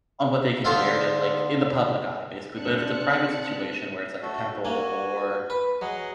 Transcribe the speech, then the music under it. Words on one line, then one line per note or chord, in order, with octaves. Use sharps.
on what they can wear to, like, in the public eye basically. But if it's a private situation where it's like a temple or
D3 B3 F4 C5 E5 F5
C4 D4 A5 F#6 C#7
A3 F#4 A4
A#3 C#4 F#4 G#5
B4
F#3 G#4 D#5 F#5